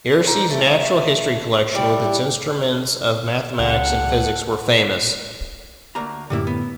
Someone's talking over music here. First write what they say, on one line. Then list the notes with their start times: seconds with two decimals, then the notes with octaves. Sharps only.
Irsee's natural history collection with its instruments of mathematics and physics were famous.
0.25 D3 D#4 E4 C5
0.50 A3
1.75 G3 D4 E4
3.59 C#2 G4 A4 F#5
5.95 D2 A#3 A#5
6.30 F#2 A2 D3 G3 A#3 E4
6.47 B3